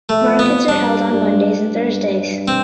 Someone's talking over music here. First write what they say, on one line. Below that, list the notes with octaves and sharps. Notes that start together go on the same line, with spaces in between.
Markets are held on Mondays and Thursdays.
A3
F2
B3
G2 D4
G2
G2
C4